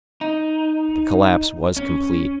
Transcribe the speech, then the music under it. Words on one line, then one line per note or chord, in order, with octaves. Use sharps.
The collapse was complete.
D#4
C#4